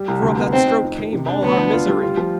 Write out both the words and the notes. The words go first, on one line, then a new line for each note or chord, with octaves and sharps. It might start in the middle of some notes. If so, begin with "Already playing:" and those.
For of that stroke came all our misery.
Already playing: G3
C2
D2
B3
C4 D#4
D#4
F2
D#3
C3
D4
D2 B3
D4
F4
G3
F4
F3